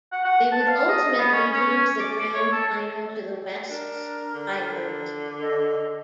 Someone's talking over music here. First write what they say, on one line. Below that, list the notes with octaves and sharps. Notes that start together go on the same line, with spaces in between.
They would ultimately lose the grand final to the Wests Tigers.
F#5
F#5
A5
F5
D#5
B3
C#4
C#4
D6
C#5
A4
D4 A#4
D3
A4 D#5